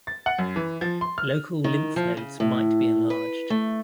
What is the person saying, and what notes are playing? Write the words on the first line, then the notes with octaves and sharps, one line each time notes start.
Local lymph nodes might be enlarged.
A6
F#5
F#2
E3
F3
C6
F6
D#3
F3
C#3
A2
B4
A3